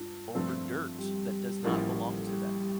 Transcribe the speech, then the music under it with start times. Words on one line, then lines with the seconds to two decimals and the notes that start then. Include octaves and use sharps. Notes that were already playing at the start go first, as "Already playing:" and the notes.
over dirt that does not belong to them
Already playing: G2 F4
0.34 G2 F3 A3 C4
0.99 G3 G4
1.63 A1 A2 F3 A#3
2.18 A4
2.27 G3 G4
2.59 G3 G4